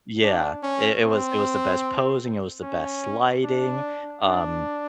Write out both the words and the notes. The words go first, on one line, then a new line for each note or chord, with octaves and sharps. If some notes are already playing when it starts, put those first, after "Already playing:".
Yeah. It it was it was the best posing, it was the best lighting. Um,
D4
C#4
C4
C#4
D4
D4